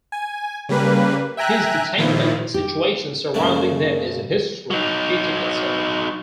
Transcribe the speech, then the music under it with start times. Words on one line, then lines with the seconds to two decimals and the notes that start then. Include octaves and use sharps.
His detainment and situations surrounding them is history repeating itself.
0.12 G#5
0.69 C#3 G3 A#3 B4
1.37 E5 G5 G#5 A#5 F#6
1.98 A#2 D#3 F3 E4
2.54 G4
3.34 F#2 A#2 C#3 G#3 A3 C#4
4.71 F#3 D#4